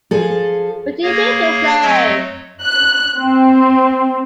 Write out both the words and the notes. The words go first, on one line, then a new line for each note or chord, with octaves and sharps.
What do you mean to say?
F3 G#4 A4
A#3 G#4 C#5 F5 A#6
F#3 A3 C4 C#5 D#5
F#6
C4